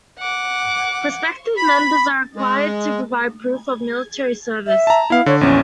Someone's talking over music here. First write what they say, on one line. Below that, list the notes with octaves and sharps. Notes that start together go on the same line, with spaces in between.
Prospective members are required to provide proof of military service.
F#5 D6
B5
G#3
E5
A5 A#5
B3 E4 F5
D3 C#5
A#1 E2 C#4